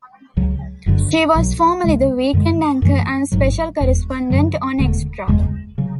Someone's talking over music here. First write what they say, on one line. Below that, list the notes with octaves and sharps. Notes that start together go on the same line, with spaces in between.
She was formerly the weekend anchor and special correspondent on Extra.
C#2 C#3 F#3
F#1 F#2 D3
B1 B2 F#3
D2 C#3 G#3
F#2 D3 G#3
F#2 E3 A3
G#1 G#2 F#3
E1 E2 B2
F#2 D3 F#3
E1 E2 D3 A3
F#1 E2 C#3 G#3
C#3 F#3